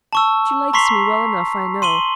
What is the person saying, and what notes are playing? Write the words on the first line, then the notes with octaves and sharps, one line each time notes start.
She likes me well enough, I know.
A5 C#6 E6
A#5 C6 C#6 B6 C7 F7
C6 D#7 F#7 G7